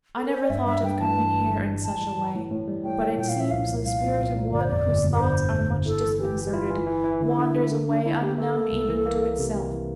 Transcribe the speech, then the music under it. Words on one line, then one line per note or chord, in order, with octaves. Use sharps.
I never thought of coming here in such a way; but it seems the spirit of one whose thoughts are much disconcerted wanders away unknown even to itself.
A4
A#4
C5
D5
G2 E5
G2 E5
G2 G5
E3 A5
A3
G1
G2
E3
A2 A5
A2
E3
A2
A2
G3
A2 G5
A2
A#2 G5
F5
F3 E5
C2 F5
C2
C2 F5
A#2
C2
A#2
G1 D5
C5
F2 D5
G1
G1
A#4
D3 C5
G1
G1
G1
E4 A4
E3
E3 G4
E3
G4
E4 F4
E3
E3 E4
E3
D3 E4
D3
D3
D3
D3 D4
C4 E4
A3 G4
A3 A4
A#3
C2
E3
A#3
A#3
C3
C3
E3